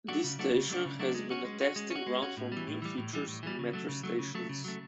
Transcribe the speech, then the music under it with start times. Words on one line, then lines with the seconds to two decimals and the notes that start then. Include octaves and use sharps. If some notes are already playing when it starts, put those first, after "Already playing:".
This station has been a testing ground for new features in Metro stations.
0.08 F#3 A3 D4 F#4
0.24 C#3
0.39 F#3 A3 D4 F#4
0.54 C#3
0.69 F#3 A3 D4 F#4
0.85 C#3
1.00 F#3 A3 D4 F#4
1.15 G#3
1.30 C#4 F#4
1.45 G#3
1.61 C#4 F#4
1.76 G#3
1.90 C#4
1.96 F#4
2.07 G#3
2.22 C#4 F#4
2.37 A2
2.52 E3 G3
2.67 A2
2.82 E3 G3
2.98 A2
3.13 E3 G3
3.28 A2
3.43 E3 G3
3.59 C#3
3.73 F#3 A3
3.89 C#3
4.03 F#3 A3
4.19 C#3
4.35 F#3 A3
4.49 C#3
4.65 F#3 A3